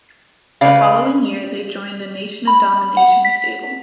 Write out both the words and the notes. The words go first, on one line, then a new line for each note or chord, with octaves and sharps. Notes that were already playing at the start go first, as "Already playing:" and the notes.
The following year, they joined the Nation of Domination stable.
C#3 B4 D5 F5
B5
F#5
B6